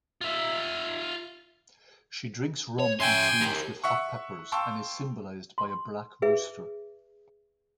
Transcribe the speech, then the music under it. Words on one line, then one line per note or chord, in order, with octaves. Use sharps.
She drinks rum infused with hot peppers and is symbolized by a black rooster.
F4 E5
C#5
C#4 E5 G5 G#5 C6
G4 A#4
E5 F#5 C#6
F5 G5 A5 C6 C#6 E6
C6
G#4 B4 E5